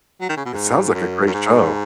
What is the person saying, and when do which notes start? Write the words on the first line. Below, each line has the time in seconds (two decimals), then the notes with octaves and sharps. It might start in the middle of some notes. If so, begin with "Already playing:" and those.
It sounds like a great show.
0.21 F#3
0.29 D#3
0.37 C#3
0.46 B2
0.54 G#2
0.94 F#2
1.27 F#2
1.34 G#2